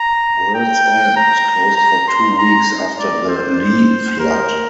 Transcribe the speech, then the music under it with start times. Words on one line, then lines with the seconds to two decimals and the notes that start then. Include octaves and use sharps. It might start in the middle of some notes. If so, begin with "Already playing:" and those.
Worlds End was closed for two weeks after the Lee flood.
Already playing: A#5
0.55 G5
1.16 A#5
1.77 A#5
2.08 C6
2.39 A#5
2.99 D5
3.29 C5
4.20 A#4